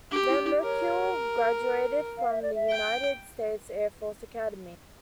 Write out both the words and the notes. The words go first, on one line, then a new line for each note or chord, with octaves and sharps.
Lehmkuhl graduated from the United States Air Force Academy.
D4 G4
E4
E4
A#4 C#5
F5
E5
D5
E5
G5